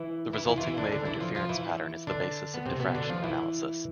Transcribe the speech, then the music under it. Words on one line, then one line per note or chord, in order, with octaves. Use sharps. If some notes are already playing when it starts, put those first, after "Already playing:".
The resulting wave interference pattern is the basis of diffraction analysis.
Already playing: E3 E4
E3 E4
E3 E4
F4
E3 E4
D3 D4
D3 D4
E3 E4
F3 F4
F3 F4
E3 E4
D3 D4
B3
C3 C4
B2 B3
D3 D4
F3 F4
E3 E4